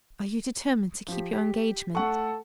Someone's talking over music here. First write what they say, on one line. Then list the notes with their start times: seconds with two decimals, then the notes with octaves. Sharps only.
"Are you determined to keep your engagement?"
1.08 F3 G4
1.33 G4
1.95 A3 A4 F#5 C#6